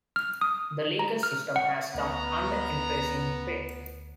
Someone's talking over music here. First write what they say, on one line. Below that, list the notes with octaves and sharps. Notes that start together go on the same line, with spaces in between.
The legal system has come under increasing threat.
F6
D#6
A#5
F6
F#5
D2 B3 A#5